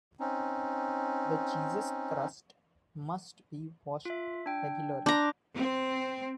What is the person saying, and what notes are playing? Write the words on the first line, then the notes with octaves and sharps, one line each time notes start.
The cheese's crust must be washed regularly.
C4 C#4 D#4
F4 E5
D4 G5
D4 A#5 C6 D6 G6
C4